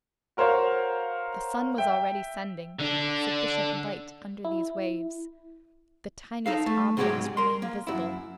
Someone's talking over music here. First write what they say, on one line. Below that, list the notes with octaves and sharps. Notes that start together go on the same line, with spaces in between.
The sun was already sending sufficient light under these waves. The tiniest objects remained visible.
F#4 A#4 C5 C#5 F5
E5 G5
D3 D4
E4
D#4 A4 F5
A3
G#2 C#3 F#3 G#3 C#4 G4
A#4 C6
A#3
F#2 E4